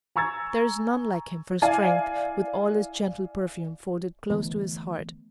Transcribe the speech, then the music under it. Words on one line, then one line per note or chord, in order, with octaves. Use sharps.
There is none like him for strength, with all his gentle perfume folded close to his heart.
G#5 A#5 C#6 E6 G#6 A6
E4 D5 F5 G#5
D3 E3 A3 B3